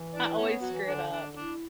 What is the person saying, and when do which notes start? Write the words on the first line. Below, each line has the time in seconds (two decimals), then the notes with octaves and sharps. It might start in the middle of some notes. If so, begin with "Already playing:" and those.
I always screw it up.
Already playing: E3
0.14 D4 E4 D5
0.33 B4
0.38 B3 C#4 C#5
0.62 E3 F#3 F#4
0.86 D3 D4
1.11 D3 D4
1.35 D4 E4